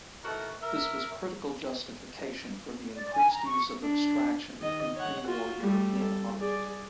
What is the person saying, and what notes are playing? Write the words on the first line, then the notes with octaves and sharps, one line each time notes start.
This was critical justification for the increased use of abstraction in pre-war European art.
D#3 E3 A3 F#4 A4 A#4
A#4 E5
D5
G#5
A#5
C#6
D4
D#3 D#5
C#5 F#5
F4 F#4
G3 A3
A4
G#4 D5